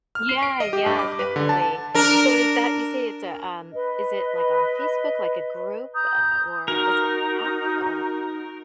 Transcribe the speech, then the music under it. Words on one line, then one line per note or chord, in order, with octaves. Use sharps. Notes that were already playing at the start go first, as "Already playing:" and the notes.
Yeah, yeah, definitely. So, is that you say it's a, um, is it, like, on Facebook, like a group? Uh, or is it an app? Or
F6
C7
D7
D#5
G4
G2
D6
B4
D3
A5
D4 A#4
B4 D#5
A#5 D#6 G6
D#4 F#4 A#4